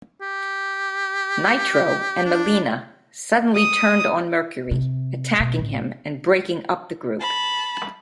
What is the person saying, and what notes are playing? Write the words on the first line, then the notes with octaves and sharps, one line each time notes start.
Nitro and Melina suddenly turned on Mercury, attacking him and breaking up the group.
G4
D4
D#6
C3
B2
A1
A5 B5